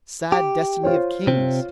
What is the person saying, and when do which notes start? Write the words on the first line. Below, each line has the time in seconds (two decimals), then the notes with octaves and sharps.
Sad destiny of kings!
0.32 G4
0.83 F4 C5 C#5
1.27 C3 C4